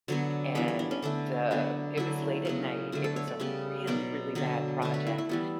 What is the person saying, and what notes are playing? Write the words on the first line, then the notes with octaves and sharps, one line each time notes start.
and the it was late at night, it was a really, really bad project,
D3 F#3 B3 C#5
E3 G3 B3 B4
C#5
D4
C#4
D3 A3 D4
D3 F#3 B3
D3 F#3 A3 E4
C#3 F#3 B3
D3 A3 F#4
A4
C#5
D5
C#3 G3 B3
B2 F#3 B3 D5
D3 F#3 B3
D3 A3 C#5
B4
E4
E4
E3 G3 B3